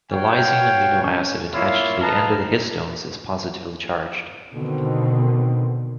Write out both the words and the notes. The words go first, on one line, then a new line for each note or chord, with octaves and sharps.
The lysine amino acid attached to the end of the histones is positively charged.
F#4 C#5 F5 G5
C#4
A#3 E4 F4 C#5 F5
B4 D#5 F5 A5 A#5
B2 D3 D#3 C4